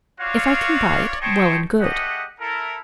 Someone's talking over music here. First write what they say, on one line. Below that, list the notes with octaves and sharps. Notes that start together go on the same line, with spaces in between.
If I can buy it, well and good.
F4 F#4 C#5 D5 F5
C5 C#5 D#5 G5 A5 C#6
A3 G4 G#4 D#5 F#5
E4 A4 A#4